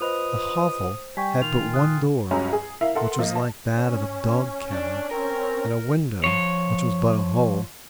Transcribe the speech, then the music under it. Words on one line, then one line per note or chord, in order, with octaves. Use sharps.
The hovel had but one door, which was like that of a dog-kennel; and a window, which was but a hole.
F4 B4 C5 D#5 D#6 F7
G3 G5 G#5 C#6 B6
A#2 D#3 F4 F7
D#6 F#6
C#2 G2 F#3 C#4 G4 A#5
G#4
E4 A#4 E5 F5
A4 A#4 E5 F#5 C6
F3 A#3 D#5
A5
C#4
D4
C4 C#4 A#4
F3 C#5